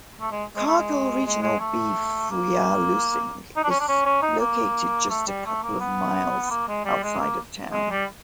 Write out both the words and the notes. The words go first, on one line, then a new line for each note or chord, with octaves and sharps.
Cargill regional beef Wyalusing is located just a couple miles outside of town.
A3
G#3
G#3
A3
G#3
G#3
G#3
A3
A#3
D#4
D4
C#4
D4
C#4
C#4
D#4
A#3
A3
G3
A3
A#3
B3
A#3
G#3
G3
G#3
A#3
G#3
G3